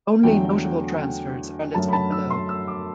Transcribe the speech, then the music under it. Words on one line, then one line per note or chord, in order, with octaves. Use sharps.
Only notable transfers are listed below.
E2 D3 F#3 A3 G5
F#2 D3 F#3 A3 A5
B5
A5
E6
C6
E6
D6